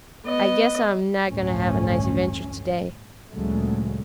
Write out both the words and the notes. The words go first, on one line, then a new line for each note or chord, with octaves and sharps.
"I guess I am not going to have a nice adventure today."
B3 D#5
A1 D2 G2 A3 C#4
D2 A#2 C#3 F#3 G#3 A3